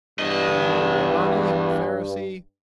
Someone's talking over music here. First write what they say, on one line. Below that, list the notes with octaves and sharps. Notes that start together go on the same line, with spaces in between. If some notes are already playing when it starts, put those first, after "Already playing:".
Daniel Robani, Pharisee.
E2 G2 D#5